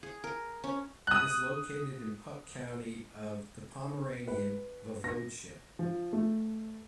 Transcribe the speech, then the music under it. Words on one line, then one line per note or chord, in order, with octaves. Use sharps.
It is located in Puck County of the Pomeranian Voivodeship.
G#4
A#4
C#4
D#6 F#6
B4
A#6
F3
A3